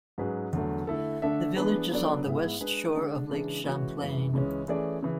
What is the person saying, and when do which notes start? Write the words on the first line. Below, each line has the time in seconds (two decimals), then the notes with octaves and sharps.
The village is on the west shore of Lake Champlain.
0.18 G#2 F#3 C#4 G#4 B4
0.53 E2 D3 F#3 A3
0.87 D3 A3 E4 A4
1.22 D3 A3 D4 A4 E5
1.56 E3 B3 D4 G#4 B4
1.91 F#3 B3 D4 A4 D5
2.25 G#2 G#3 B3 E4
2.61 G#3 D4 G#4 B4
2.95 D3 G#3 D4
3.30 C#3 E3 G#3 D4 G#4
3.64 E3 G#3 C#4 F#4 C#5
3.99 F#2 E3 G#3
4.33 C#2 C#3 E3 G#3 C#4
4.68 E3 A3 C#4 G#4 D5
5.03 C#3 E3